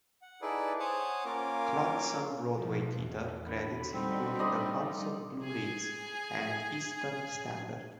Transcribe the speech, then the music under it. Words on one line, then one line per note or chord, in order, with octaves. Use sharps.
Clarkson's Broadway theatre credits include "The House of Blue Leaves" and "Eastern Standard".
F#5
D#4 E4 G#4 A4 B4 D5
C5 C#5 F#5 G#5 A5 D#6
A#3 C#4 F4 A#4 C#5 D6
B2 F3
E2
D3 B5
G3 C4 D#4
D5 D#5 C6
G#4 G#5